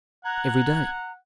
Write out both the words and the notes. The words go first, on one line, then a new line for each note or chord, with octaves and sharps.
"Every day."
F#5 A#5 F#6 G#6